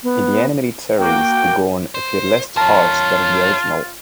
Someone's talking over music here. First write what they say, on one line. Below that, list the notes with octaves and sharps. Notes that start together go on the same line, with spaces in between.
In the animated series, the Gorn appeared less harsh than in the original.
B3
A#3 F#4 G5 D6
C5
F4 A#4 C#5 A5